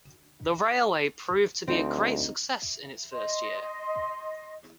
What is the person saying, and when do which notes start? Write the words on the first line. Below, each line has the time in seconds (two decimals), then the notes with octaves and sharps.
The railway proved to be a great success in its first year.
1.67 D2 C4 D#4
3.12 D#5 C6